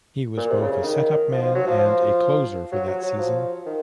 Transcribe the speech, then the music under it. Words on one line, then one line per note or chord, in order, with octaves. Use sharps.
He was both a setup man and a closer that season.
A#2
C3
C#3
C#3
D#3
F3
F3
F#3
F3
F3
F#3
F#3
F#3
F3
D#3